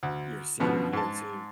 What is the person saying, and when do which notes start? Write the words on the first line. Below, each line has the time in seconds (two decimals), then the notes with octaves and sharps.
Your senior year too.
0.03 D2
0.60 F2 B2 D3 F3 B3 C#4
0.93 G#2 A5